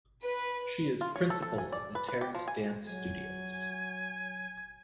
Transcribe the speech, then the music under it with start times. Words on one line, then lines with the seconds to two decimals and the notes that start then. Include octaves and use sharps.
She is principal of the Tarrant Dance Studios.
0.23 B4
1.01 F4
1.16 C#5
1.30 A4
1.42 A4
1.58 G#5
1.73 D5
1.95 B4
2.08 B4
2.21 G4
2.35 F3
2.48 G#5
2.87 F#3 G#5